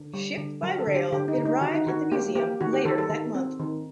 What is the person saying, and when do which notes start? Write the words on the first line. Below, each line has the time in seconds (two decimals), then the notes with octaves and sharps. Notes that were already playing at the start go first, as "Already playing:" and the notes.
Shipped by rail, it arrived at the museum later that month.
Already playing: D3
0.14 G3
0.38 D3
0.63 F#3 A#4
0.79 A4
0.87 D3
0.95 G4
1.12 D3 G4
1.28 D#4
1.37 D3
1.45 D#4
1.61 D#3 F#4
1.74 D#4
1.87 D#3 F#4
2.12 A#3 G4
2.35 A#3 G4
2.61 D#3 F#4
2.73 G4
2.85 D#3 A4
2.98 A4
3.09 D#3
3.35 C4
3.60 D#3